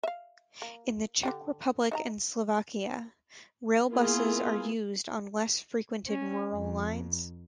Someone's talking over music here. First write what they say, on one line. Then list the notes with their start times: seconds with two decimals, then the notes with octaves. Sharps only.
In the Czech Republic and Slovakia, railbuses are used on less frequented rural lines.
0.03 E5 F5
0.62 A#3
1.23 D3 D4 G4
1.91 D#4 E5 A#5
3.90 A#3 B3 E4 F4 G#4
6.07 C#4
6.52 F2